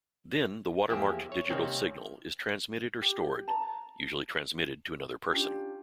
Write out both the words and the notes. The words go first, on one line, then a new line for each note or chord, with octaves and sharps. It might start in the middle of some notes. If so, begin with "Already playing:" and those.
Then the watermarked digital signal is transmitted or stored, usually transmitted to another person.
E2 F3 A#3 G4 G#4 E5
C#5
C3 D#3 G3 A#3 C4 C#4
G4
A5 A#5
C#4 D4 F4 G4